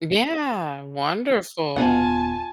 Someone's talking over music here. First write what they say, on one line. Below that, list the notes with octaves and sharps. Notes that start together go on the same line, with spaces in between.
Yeah, wonderful.
D#1 B3 F4 F#5 G#5 A5